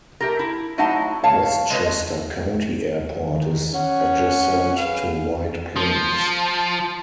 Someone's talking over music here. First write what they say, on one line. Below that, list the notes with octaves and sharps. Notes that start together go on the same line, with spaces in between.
Westchester County Airport is adjacent to White Plains.
A3 G4 A#4
E4
F#3 A3 D#4 E4 F#5 A5
C#5 F5 A5
G#3 B4 C#5 D#5
D#3
C#4 F#5
G#4 B4 F5
F3